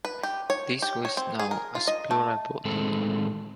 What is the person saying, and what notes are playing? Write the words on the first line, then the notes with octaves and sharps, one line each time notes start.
This was known as plural voting.
B4
G4
C#5
G4
C#5
C4
G#4
A#4
F4
D#5
A3
A2 D#3 G#3 C4 A4